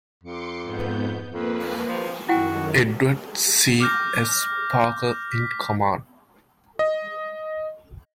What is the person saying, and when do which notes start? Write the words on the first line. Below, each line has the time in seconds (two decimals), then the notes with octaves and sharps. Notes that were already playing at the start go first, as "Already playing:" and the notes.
Edward C. S. Parker in command.
0.23 F2 C6 D6 C#7
0.63 G#2 B3 G6
1.32 F2 A#3 B4
1.87 F3
2.29 F#2 D#3 E4 F#4 F#5 G5
3.80 D6 F6 G6 A#6
5.32 B6
6.79 D#5